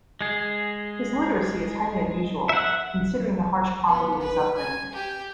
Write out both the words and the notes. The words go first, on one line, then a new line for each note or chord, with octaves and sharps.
His literacy is highly unusual, considering the harsh poverty of his upbringing.
G#3 G#4
E5 F#5
B3
B4
G#5
G4